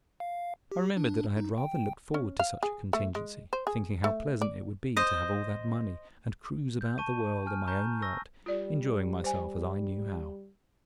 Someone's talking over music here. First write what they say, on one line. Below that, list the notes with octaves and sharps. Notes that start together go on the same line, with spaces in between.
I remembered that I had rather looked forward to such a contingency, thinking how pleasant it would be to have all that money, and cruise about the world in my own yacht, enjoying myself as I knew how.
F5
G4
D4
D#4
G5
C#4
F5
G#4
A3
G#3
C5
G#4
A3
D5
C5 D#5
G6
A5 C#6 D#7
G#5 F6
A#5 C#6 G6
C#6 E6 A#6
G3 F4 D5
C5 G#5